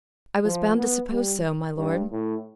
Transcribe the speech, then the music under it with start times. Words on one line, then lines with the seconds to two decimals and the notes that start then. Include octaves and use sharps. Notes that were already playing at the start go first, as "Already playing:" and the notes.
"I was bound to suppose so, my lord."
0.45 F3
0.78 B3
1.11 G3
1.77 G2
2.12 A2